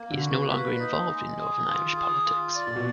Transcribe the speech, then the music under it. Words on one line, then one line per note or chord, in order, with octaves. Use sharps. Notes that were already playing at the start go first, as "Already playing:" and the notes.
He is no longer involved in Northern Irish politics.
Already playing: A#3
D3
F#4
B3
B3
A#3 B4
D#4
G#3
G#4
D#3 F4
G#4
F4
D5
A#2
B2